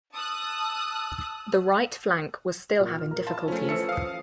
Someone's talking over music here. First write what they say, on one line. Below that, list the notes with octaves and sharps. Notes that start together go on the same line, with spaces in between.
The right flank was still having difficulties.
A5 D#6 E6 F#6
A#2 F6
A#4
E4 F4 A5
F3 A3 C#4
E3 A3 A4 E6 C#7
F5 D#6